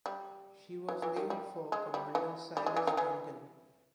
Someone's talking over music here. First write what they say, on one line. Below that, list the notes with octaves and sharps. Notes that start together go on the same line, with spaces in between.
She was named for Commander Silas Duncan.
G3
E3
E3
D#3
G3
G#3
G3
E3
G3
G#3
E3
D#3
E3